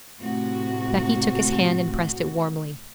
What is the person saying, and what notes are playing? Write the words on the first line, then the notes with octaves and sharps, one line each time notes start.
Becky took his hand and pressed it warmly.
A2 C3 F#4